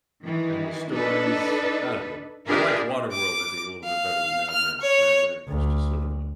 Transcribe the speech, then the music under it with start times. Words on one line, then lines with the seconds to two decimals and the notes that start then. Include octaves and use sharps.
and the stories, I don't know, I liked Waterworld, I think, a little bit better than Mad Max. Mad Max was just sort of a
0.24 D#3 E3
0.91 D4 D#4 A4 B4
2.48 D4 F4 G4 G#4 A#4 B4
3.11 D6
3.84 F5
4.50 F6
4.81 C#5
5.47 D2